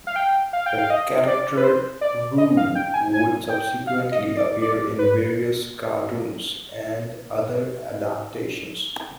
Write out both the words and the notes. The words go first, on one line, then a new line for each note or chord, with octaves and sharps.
The character Roo would subsequently appear in various cartoons and other adaptations.
F5
G5
F5
G5
F5
D#5
D5
B4
C5
D5
D#5
F5
G5
G#5
G#5
G5
F5
D#5
D5
D5
B4